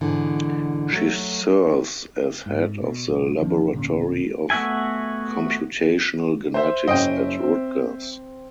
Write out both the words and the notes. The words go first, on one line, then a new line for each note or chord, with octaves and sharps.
She serves as Head of the Laboratory of Computational Genetics at Rutgers.
G#2 B2 D3 E3
F#3 A3
G#2
B2
B1
E1 D#3 F3 C#4
E1 A#2 D3 C#4
A3 B3 F#4 E5 G#5
C5 E5
F#1 C#4 D#5 G5 D7
C4